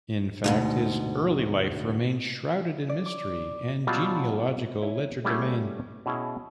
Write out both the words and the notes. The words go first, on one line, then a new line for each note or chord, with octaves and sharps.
In fact, his early life remains shrouded in mystery and genealogical legerdemain.
D2 G#2 B2
D5
D6
B2 F#3 G3 F4
E4 C#5
G3 A3 C#4 E4 G#4 F#5
B2 C#4 E4 G#4